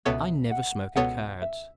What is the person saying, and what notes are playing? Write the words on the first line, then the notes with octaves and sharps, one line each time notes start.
"I never smoke at cards."
C#2 B2 B3 A4 C#5 E5
F#5
C#2 B2 B3 A4 C#5 F#5
E5